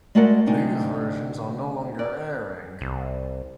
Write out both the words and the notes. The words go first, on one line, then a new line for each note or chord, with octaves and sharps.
These versions are no longer airing.
G#3 A3 F#4 A#4 D5 F#5
D2 C3 D4 D#4 G5 G#5
D5
C2